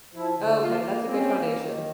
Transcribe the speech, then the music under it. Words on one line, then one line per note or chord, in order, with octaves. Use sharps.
Okay, that's a good foundation.
F3 E4
D3
A#3 F4
A#3
C4 C#4
A#3
D#3